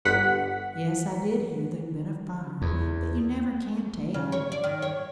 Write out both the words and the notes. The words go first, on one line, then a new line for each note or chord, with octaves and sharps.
Yes, I did hear there'd been a fire, but you never can tell.
G1 F#5 B6
E2
C#3
C#5
D5
D#3
C#5